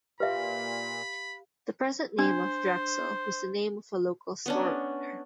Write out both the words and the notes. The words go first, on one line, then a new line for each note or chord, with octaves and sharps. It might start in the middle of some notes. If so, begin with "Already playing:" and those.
The present name of Drexel was the name of a local store owner.
A#2 G4 B4 E5 F5 B5
D4 C5
B3 C#4 D4